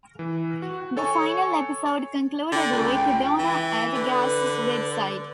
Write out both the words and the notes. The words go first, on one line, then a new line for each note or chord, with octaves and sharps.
The final episode concluded with Donna at Gaz's bedside.
E3
F#4
A4 C#5 G#5 C#6
D3 G5
C#2
E3
D3 B4